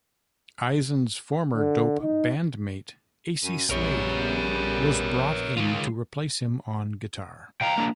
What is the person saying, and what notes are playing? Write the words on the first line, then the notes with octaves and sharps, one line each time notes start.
Eisen's former Dope bandmate Acey Slade was brought in to replace him on guitar.
D3
D#4
F#2 D#7
A#1 C#3 G3 B3 A#4 C#5
D#3 G#3 F4
C2 F5 G5 A#5
A#3 D4